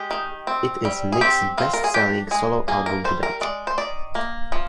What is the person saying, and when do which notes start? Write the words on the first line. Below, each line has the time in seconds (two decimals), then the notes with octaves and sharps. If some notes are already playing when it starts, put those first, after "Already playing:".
It is Nicks' best-selling solo album to date.
Already playing: G#3 G4
0.11 D#3
0.47 C4
0.85 G3
1.12 G#4
1.21 C4 G4
1.58 F3 F4
1.74 A#4
1.84 G#4
1.94 D4 G4
2.31 G#3 G#4
2.68 A#3 G#4
2.86 A#4
3.04 G3 C5
3.23 A#4
3.41 G#3 D5
3.67 C5
3.78 D#3 D5
4.15 A#3
4.52 F3